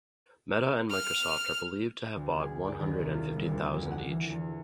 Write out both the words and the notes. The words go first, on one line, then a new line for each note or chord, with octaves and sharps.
Meta and Microsoft are believed to have bought one hundred and fifty thousand each.
F6
D2
G#4
D5
D#2
C2
F4
D#1
D2
F2
F#5
E3
E2